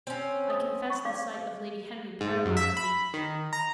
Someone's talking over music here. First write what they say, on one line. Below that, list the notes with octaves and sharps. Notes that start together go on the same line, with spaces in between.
I confess the sight of Lady Henry paralyzed me.
C4 C#4
D#6
C#6
D5 F5 D6
G#2
F#2
E5
B5
D#3
A#5